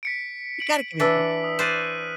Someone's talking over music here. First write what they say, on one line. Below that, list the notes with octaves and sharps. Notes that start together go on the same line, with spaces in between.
You gotta give me one.
B6 C#7 D7
D7 F#7
E3 D4 E6 B6
D#6
C5 D5 F6 F#6 D#7